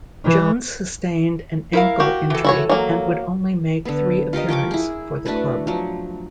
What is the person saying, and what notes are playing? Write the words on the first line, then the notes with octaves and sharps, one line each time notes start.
Jones sustained an ankle injury and would only make three appearance for the club.
E3
E4 A#4 F5
F#4 G4
E3 A4
E4 F#4 C#5
F#3 A#3
D3 B3
F4 G4 A#4 D#5
F3 G5 C#6 D6
E4 G#4
A3 D4 F#4 B4
F3 F#3